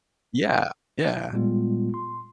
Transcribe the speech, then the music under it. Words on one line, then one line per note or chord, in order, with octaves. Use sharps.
Yeah, yeah.
A#2 G3 G#3 B3 F4
C6